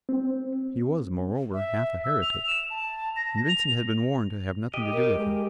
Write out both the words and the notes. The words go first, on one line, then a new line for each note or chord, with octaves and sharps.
He was, moreover, half a heretic, and Vincent had been warned to have nothing to do with him.
C4
E5
E6
F7
E7
A5
A#6
F7
G4 D#5
A#4
G#3